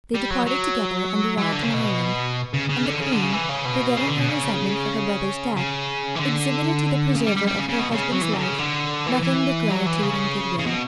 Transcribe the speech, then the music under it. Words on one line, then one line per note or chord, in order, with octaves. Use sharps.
They departed together, and arrived in Ireland; and the queen, forgetting her resentment for her brother's death, exhibited to the preserver of her husband's life nothing but gratitude and good-will.
G3
F#3
F#3
F#3
E3
D3
C#3
B2
C#3
C#3
D3
C#3
D3
C#3
E3
C#3
B2
C#3
D3
B2
C#3
C#3
E3
D3
C#3
G3
G3
G3
C#3
C#3
B2
B2
C#3
F#3
E3
C#3
D3
C#3
D3
E3
E3
F#3
E3
C#3
C#3
B2